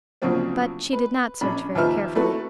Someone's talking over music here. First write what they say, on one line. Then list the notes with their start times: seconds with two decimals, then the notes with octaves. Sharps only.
But she did not search very carefully.
0.22 D2 C#3 F3 F#3 A#3 C4
0.93 B4
1.41 A#1 C#4 D4 B5
1.75 D#2 F3 F4 B4 E5 F6
2.15 A3 E4 F#4 A4 B4